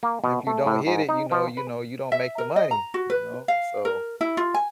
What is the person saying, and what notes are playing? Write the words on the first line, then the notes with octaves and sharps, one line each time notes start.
if you don't hit it, you know you know, you don't make the money, you know, so
A#3
B2
A3
A2
G#2
D#4
F3
B4
E5
A#4
D#5
A#5
F#4
B4
F5
A#4
E4
F4
G#5